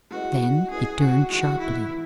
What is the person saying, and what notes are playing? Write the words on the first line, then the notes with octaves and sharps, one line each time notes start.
Then he turned sharply.
G#3 C#4 E4 F#4 B4 D#5
G#3 C#4 E4 G#4 B4 D#5
F#4
E3 G#3 D#4 F#4
E4
E3